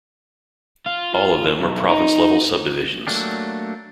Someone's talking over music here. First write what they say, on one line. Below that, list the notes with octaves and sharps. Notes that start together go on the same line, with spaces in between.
All of them are province-level subdivisions.
F4
F4
B1
D#4
F#3 A3 A#3 D4 G4